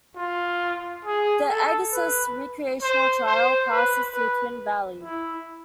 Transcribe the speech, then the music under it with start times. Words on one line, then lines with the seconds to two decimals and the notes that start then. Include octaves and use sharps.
The Agassiz Recreational Trail passes through Twin Valley.
0.16 F4
1.05 G#4
1.49 A4
1.93 B4
2.82 C5
3.26 C5
3.70 B4
4.14 B4
5.03 E4